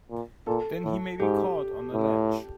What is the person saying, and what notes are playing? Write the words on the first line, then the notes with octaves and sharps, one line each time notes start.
Then he may be caught on a ledge!
A#2
A#2 A4
A2
G#2 G4
A2